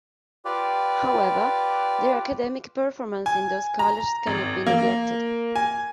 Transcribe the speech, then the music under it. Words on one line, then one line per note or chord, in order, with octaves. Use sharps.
However, their academic performance in those college cannot be neglected.
F4 G4 B4 D5
G#5
A#5
G#1
A#3
G#5